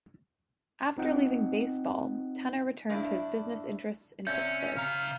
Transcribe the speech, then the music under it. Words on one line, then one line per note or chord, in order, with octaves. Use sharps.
After leaving baseball, Tener returned to his business interests in Pittsburgh.
C4 D#4 F4 D#5 F#5 G5
G2 D4 E4
C3 C#4 D5 E5 G6
C#3 F5 A#5